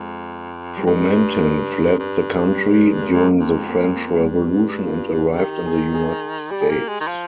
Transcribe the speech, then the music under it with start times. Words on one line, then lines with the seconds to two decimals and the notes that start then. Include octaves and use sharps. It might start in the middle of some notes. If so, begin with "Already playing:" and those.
Fromentin fled the country during the French Revolution and arrived in the United States.
Already playing: F2 G#3
0.77 G3
0.87 G2 G#3
1.99 G2
2.56 G3
2.84 G#3
3.00 A#3
3.12 F2 G#3
3.31 A#3
3.40 F2
3.50 G#3
3.69 A#3
3.81 G#3
3.94 A#3
4.09 A#3
4.18 G#3
4.25 G2 G3
4.53 G#3
4.82 F4
5.38 D#3 G4
5.66 G#4
5.94 G#4
6.50 G3 G4
6.61 G#4
6.70 A#3 G4
6.88 G#3
7.01 D#3
7.07 F3 F5